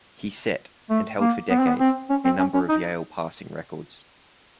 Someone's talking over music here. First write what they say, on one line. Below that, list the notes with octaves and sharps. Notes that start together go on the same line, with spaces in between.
He set, and held for decades, a number of Yale passing records.
A3
A#3
B3
C4
B3
C4
C#4
C4
C#4
C#4
D#4